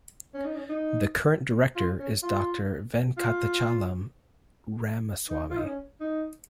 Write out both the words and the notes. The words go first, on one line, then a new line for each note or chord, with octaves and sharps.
The current director is Doctor Venkatachalam Ramaswamy.
C#4
D#4
C#4
D#4
F4
C#4
F4
F4
D#4
F4
D#4
C#4
D#4